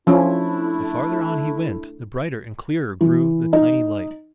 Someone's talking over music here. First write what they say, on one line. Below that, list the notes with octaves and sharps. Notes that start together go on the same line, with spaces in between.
The farther on he went, the brighter and clearer grew the tiny light.
F3 A3 C#4 D4 E4
E3
D#4